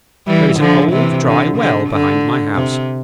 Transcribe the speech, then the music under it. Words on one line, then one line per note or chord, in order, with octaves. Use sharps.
'There is an old, dry well behind my house.
E3 G3
D3 F3
C3 E3
D3
D3
D3
C3